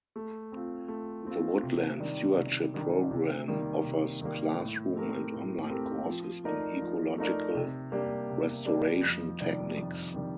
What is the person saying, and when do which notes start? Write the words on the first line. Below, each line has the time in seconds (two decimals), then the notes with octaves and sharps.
The Woodland Stewardship Program offers classroom and online courses in ecological restoration techniques.
0.16 A3
0.52 C4 F4
0.88 A3
1.27 C4 F4
1.63 C3
2.00 D#3 G3 D4
2.38 C3
2.74 D#3 G3 D4
3.11 C3
3.48 D#3 G3 A#3
3.84 C3
4.21 D#3 G3 A#3
4.60 A2
4.96 A3 C4 G4 A#4
5.34 A2
5.70 A3 C4 G4 A#4
6.06 F3
6.44 A3 D#4 A#4 D5
6.81 F3
7.18 A3 D#4 A#4 D5
7.55 C3
7.92 G3 A#3 D4 G4
8.29 C3
8.65 G3 A#3 D4 G4
9.03 F2
9.40 C3 D#3 G3 D4
9.77 F2
10.14 C3 D#3 G3 D4